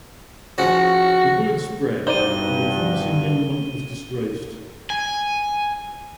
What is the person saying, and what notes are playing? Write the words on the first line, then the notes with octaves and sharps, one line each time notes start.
The word spread, and the promising young monk was disgraced.
C#3 F3 C#4 F#4
G2 B2 D#4 C5 D5 D#7 G7
G#5